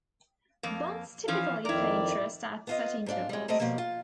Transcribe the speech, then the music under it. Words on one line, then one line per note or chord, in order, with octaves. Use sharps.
Bonds typically pay interest at set intervals.
F2 A#3
E3 F3 C#4 F5
F2 D#3 E4 A#4 D5
B3 F4 D#5
G#2 D4 F4
G3 G#3
G3 A3 C4 A#4 D#5
B2 F3 G3 A#3
F4